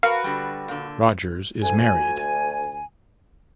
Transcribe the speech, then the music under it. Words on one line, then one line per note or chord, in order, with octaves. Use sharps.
Rogers is married.
F#4 A#4 B4 F5
D3 G3
A#2 D3
D2 G#5